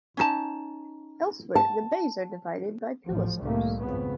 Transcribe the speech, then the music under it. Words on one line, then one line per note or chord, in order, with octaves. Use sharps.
Elsewhere the bays are divided by pilasters.
C#4 D#4 A5
A5
A1 D2 F3
C2 A2 D#3 A3 A#3
G#1 F2 C#3 B3